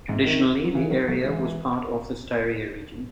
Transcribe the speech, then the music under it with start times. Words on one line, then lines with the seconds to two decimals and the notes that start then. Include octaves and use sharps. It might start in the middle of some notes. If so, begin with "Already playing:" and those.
Traditionally the area was part of the Styria region.
0.08 G#2 C3
0.25 C3 D#3
0.65 F#3
0.74 C#3 E3
0.90 D#3 F#3
1.08 F#3 A3
1.24 E3 G#3